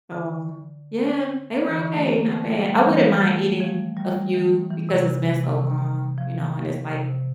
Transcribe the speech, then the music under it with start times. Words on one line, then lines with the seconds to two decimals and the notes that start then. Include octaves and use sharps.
So, yeah, they were okay, not bad. I wouldn't mind eating a few because it's been so long, you know, and it's like
0.12 D3
1.68 E3
1.77 D3
1.95 A3
2.14 A#3
2.32 A3
2.50 G3
2.86 E3
2.99 F3
3.11 G3
3.24 A3
3.60 F3
3.97 G3
4.34 E3
4.70 E3
4.89 C3
5.26 C3
5.44 C3
6.18 F3
6.91 C3